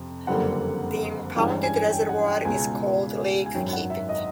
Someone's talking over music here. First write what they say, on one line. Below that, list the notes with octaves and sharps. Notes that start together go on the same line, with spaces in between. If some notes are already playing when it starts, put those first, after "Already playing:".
The impounded reservoir is called Lake Keepit.
Already playing: F2 C3
F#1 F2 D3 G3 A#3 F#5
G2 E3 G#3 C#4 G5
G#5
G5
F#5
G5
C#2 B2 G#3 G#5
G#5
G#1 F#2 D#3 F#3 G5
F#5
E5
D#5